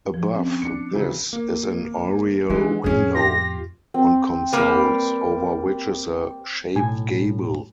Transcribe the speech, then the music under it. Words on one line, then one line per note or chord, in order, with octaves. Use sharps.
Above this is an oriel window on consoles over which is a shaped gable.
F3
C4 C#4
B3 D4 C#7
C#3 E3 F#3
A#3
E3 G#3 D4
F2 A2 C#4 G#4
F4 G4 C6 A#6
C4
G3 A#3 B4
B1 A2 G#5